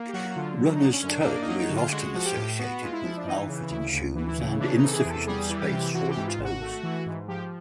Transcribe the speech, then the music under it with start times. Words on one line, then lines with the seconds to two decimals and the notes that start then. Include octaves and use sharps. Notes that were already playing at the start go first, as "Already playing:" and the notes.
Runner's toe is often associated with malfitting shoes and insufficient space for the toes.
Already playing: A#3
0.09 G4
0.13 F#3 F#4
0.29 F#4
0.36 D3 F4
0.58 F#3
0.75 D#4
0.81 D3
0.92 C#4
1.03 F#2 C#4
1.09 D4
1.20 D#4
1.25 A#3 D4
1.35 D4
1.42 D#4
1.48 F#3
1.59 D#4
1.70 D3
1.75 F4
1.92 G#3 F#4
2.14 F3 F#4
2.25 G4
2.36 A2
2.59 B3 F#4
2.82 G#3 F4
2.93 E4
3.04 F3
3.17 D4
3.26 E3 D#4
3.49 C#3
3.71 D2 E4
3.93 D2
4.15 E3
4.27 E4
4.38 C#3
4.60 E3 D4
4.76 D#4
4.82 C3 A4
4.93 G#4
5.05 E2
5.10 A4
5.27 G3 G#4
5.50 E3
5.60 G4
5.72 C3
5.94 E3 F#4
6.11 G4
6.16 G#2
6.27 F4
6.38 G#1
6.44 F#4
6.61 A3
6.83 E3
7.06 G#2
7.28 F3 G4